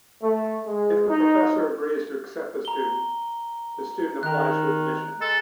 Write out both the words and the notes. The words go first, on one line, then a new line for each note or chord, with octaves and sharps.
If the professor agrees to accept the student, the student applies for admission.
A3
G#3
D#4
A#5 G7
D#3 A#5 F#6
G#3 A4